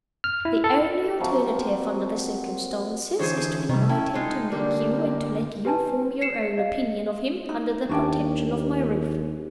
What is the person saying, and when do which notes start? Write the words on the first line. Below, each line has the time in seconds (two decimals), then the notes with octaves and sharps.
The only alternative under the circumstances is to invite him to meet you, and to let you form your own opinion of him--under the protection of my roof.
0.24 F6
0.45 E4
0.64 A4
1.20 C3 F3 F#3 A#3
3.19 D3 E3 G#4 C5 C#5
3.69 F2 C3 D#3 G3
3.89 C#4 E4 G5 A5
4.14 G#3 D#4 F4
4.52 D3 G3 A#3
5.65 G4 B4 G#5 A5
6.21 C7 C#7 E7
6.57 D#5 F5
7.49 D#4
7.89 D#2 C#4 D4 G5